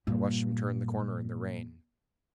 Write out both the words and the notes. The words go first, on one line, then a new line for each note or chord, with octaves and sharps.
I watched him turn the corner in the rain.
G2 A#2